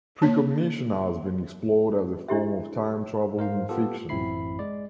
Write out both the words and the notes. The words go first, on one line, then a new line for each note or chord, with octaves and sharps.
Precognition has been explored as a form of time travel in fiction.
A#3 C#5 A5
D4 E4 G4 E5
G#2 A#4 C5 F5
B3 F4 G4 A4
A1 F#2 C4 E4 B5 C7
G#3 D5